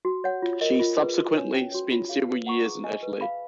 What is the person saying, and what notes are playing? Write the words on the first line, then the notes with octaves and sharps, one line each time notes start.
She subsequently spent several years in Italy.
F#4
C#5 F#5
F4
A#4 D#5
F4
G#4 B4
F#4
C#5 G#5
C#4
F#4 C#5
F4
G#4 C#5 F5
B4
F#5 A#5 C#6
G#4
D#5 G#5
B4
F5 B5